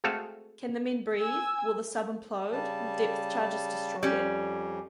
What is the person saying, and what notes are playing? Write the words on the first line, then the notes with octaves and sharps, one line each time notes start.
Can the men breathe, will the sub implode, will depth charges destroy it?
G#3 A3 C4 F#4 A4 F5
G#5 E6
C#3 G3 A5
F2 G3 C#4